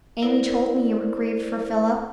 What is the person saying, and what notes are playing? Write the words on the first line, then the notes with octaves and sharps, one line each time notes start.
'Amy told me you were grieved for Philip.
E4 A#4 C5 D5